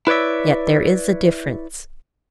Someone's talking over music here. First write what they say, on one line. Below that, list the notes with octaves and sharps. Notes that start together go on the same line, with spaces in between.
Yet there is a difference.
E4 B4 C#5 D5 E5